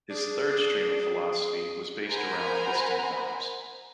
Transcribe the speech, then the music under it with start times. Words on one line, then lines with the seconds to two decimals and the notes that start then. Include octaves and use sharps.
His third stream of philosophy was based around piston valves.
0.10 D4 G#4
2.10 A#4 C5 F#5 G#5 A#5 B5